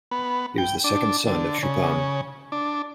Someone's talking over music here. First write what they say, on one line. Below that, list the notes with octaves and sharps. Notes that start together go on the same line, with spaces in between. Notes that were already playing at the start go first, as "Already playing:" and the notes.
He was the second son of Chupan.
B3
G5
D4
D3
C#3
D4